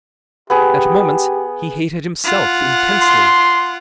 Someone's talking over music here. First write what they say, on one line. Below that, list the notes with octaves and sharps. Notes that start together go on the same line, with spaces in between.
At moments he hated himself intensely.
B3 G4 G#4
F4 F#5
C6